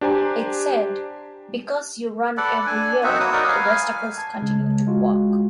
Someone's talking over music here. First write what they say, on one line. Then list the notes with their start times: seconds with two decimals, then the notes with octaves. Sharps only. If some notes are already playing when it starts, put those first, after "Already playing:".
It said 'Because you run every year, the rest of us continue to walk.
0.01 D4 G4 C5 G#5 A#5
2.37 A4 B4 D5 F#5
2.66 D4 G#5
3.03 C4 D#4 F#4 E5
3.20 F#3 A#3 B4 D#6
3.33 D#4 F#4 A#4 D5
3.48 B4 F5 G#5
4.18 A5 G#6
4.38 C#3 G#3
4.87 G#3 F4 F#4